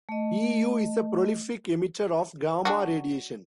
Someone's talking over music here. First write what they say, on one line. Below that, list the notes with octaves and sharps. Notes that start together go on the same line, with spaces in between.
Eu is a prolific emitter of gamma radiation.
A3 D#5
F#3 D4 F#4